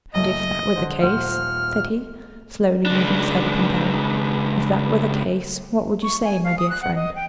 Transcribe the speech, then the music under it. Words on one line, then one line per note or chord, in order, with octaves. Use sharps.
"And if that were the case," said he, slowly, moving his head up and down, "if that were the case, what would you say, my dear friend?"
F#1 A3 D#5
D3 C5
D#1 C5 F#5 F6
C#2 D4
C#6
G#5
F5
D#6
F#6
F#5
D#5
G5